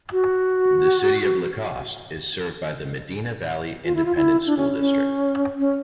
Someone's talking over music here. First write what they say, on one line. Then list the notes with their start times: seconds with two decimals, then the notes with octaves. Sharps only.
The City of LaCoste is served by the Medina Valley Independent School District.
0.12 F#4
3.85 F4
3.95 E4
4.05 F4
4.16 E4
4.46 D4
4.57 C#4
4.79 C#4
5.60 C#4